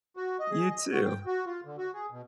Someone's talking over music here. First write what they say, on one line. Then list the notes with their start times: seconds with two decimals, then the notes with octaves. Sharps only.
You, too.
0.17 F#4
0.40 D#5
0.51 G#4
0.70 D#5
0.92 F#4
1.05 G5
1.26 F#4
1.46 F4
1.65 D3
1.78 F#4
1.94 G#4
2.11 B2